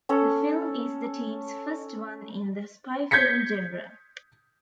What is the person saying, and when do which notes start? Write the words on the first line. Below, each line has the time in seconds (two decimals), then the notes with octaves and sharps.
The film is the team's first one in the spy film genre.
0.09 C#4 A4 C#5
3.11 G6 G#6 A#6 B6 C#7